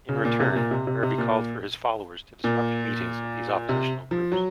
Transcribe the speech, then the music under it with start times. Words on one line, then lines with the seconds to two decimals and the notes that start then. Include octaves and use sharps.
In return, Garvey called for his followers to disrupt meetings of these oppositional groups.
0.09 C#3
0.25 A#2
0.40 C3
0.56 A#2
0.71 C3
0.87 C3
1.03 C3
1.18 A#2
2.44 A#2
3.69 C3
4.11 F3
4.32 F#3